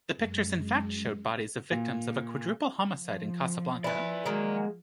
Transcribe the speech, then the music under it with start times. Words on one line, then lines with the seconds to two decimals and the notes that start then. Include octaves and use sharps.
The pictures in fact showed bodies of victims of a quadruple homicide in Casablanca.
0.16 F#2 G#3
1.71 A#2
2.90 F3
3.84 E4 B4 D5 G#5
4.26 D#3 F#3 G#3 A#3